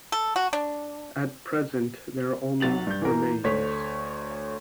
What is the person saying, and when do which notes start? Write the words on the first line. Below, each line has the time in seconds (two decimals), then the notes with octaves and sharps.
At present, there are only remains.
0.12 A4
0.36 F#4
0.53 D4
2.60 B1 F#3 A6 F7 F#7
2.87 G2 G6
3.02 E3 A#3 A#4
3.44 D2 A3 C#5 B6